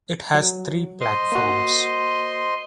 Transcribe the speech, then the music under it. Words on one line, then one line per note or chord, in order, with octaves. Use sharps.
It has three platforms.
F#3
C5 D#5 C6
A#3 F#4